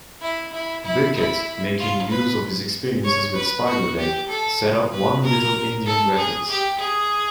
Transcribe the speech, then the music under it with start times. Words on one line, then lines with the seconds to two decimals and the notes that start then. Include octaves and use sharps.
Birkett, making use of his experiences with Spiderleg, set up One Little Indian Records.
0.22 E4
0.53 E4
0.85 E4
1.16 E4
1.79 F4
2.11 B4
3.04 C#5
3.35 B4
3.67 F#4
3.98 G4
4.29 A4
4.92 B4
5.24 A#4
5.86 A4
6.17 G#4
6.49 G4
6.80 G#4